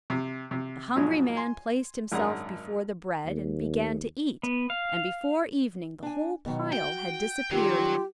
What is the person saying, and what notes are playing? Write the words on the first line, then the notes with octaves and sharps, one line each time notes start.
The hungry man placed himself before the bread, and began to eat, and before evening the whole pile had disappeared.
C3
C3
G#2 B2 F3 F#3 G#3
G#5 C6
G#1 F#2 D4 G#4 F#5 A#5
D#2
B3
F5
D4 G#5
B2 D#3 F#3
F#4 G5
D#3 F#3 G3 C#4 F4 G4